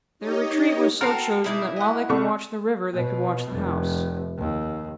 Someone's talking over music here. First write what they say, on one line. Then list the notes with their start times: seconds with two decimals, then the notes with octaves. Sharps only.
Their retreat was so chosen that while they could watch the river, they could watch the house.
0.20 D#4 G4 C#5 D#5
1.01 F#4 A4 A#4 G5 A5 C6 F6 C7
1.44 B2 D#4 E4 G#4 D6
1.76 D#5 F#5
2.09 C2 A4 C#6
2.93 B2
3.52 F1
4.38 D#2